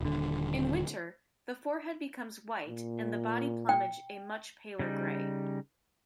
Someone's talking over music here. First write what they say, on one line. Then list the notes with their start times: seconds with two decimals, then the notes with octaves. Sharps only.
In winter, the forehead becomes white and the body plumage a much paler grey.
0.01 D#1 D3
2.68 A#2
3.69 G5
4.79 C#3 G3 D#4